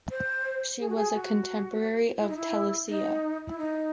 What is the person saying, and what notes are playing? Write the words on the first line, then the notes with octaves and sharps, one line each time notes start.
She was a contemporary of Telesilla.
C5
G#4
F#4
G#4
F#4
E4
D#4
E4
D#4
E4
D#4